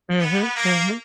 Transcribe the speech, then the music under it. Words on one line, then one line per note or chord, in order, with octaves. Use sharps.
Mhm, mhm.
B3
A#3